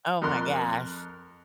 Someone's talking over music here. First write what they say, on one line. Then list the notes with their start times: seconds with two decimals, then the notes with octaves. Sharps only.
Oh my gosh.
0.22 F2 A#4 C6 F#6